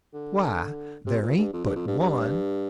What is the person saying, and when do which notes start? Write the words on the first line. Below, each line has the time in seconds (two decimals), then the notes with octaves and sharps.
"Why, there ain't but one."
0.14 D3
1.06 C3
1.22 A#2
1.37 G2
1.53 F2
1.65 G2
1.76 F2
1.87 G2
1.99 G2